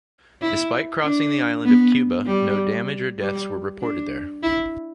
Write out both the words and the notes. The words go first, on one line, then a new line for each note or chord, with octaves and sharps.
Despite crossing the island of Cuba, no damage or deaths were reported there.
E4
D4
B3
G3
G3
D4
E4